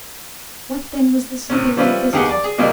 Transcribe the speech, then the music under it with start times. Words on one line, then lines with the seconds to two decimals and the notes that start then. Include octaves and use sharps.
What then was this ethereal visitant?
1.50 A2 C3 C#4
1.77 F3 G3 C#4 F4 B4 E5
2.13 D#2 B3 G4 G#4 F#5 G#5
2.29 D5
2.44 G#4
2.58 C2 A#2 G3 G#3 A#3